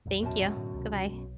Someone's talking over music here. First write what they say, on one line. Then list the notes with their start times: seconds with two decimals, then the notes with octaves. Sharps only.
Thank you. Goodbye.
0.06 A1 E2 A#2
0.23 F#2 B2 A5
0.56 A2 D3
0.74 C#2 C3 D#3
1.11 B1